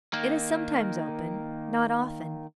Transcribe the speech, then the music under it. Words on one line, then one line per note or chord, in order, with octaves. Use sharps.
It is sometimes open--not often.
D#3 A#3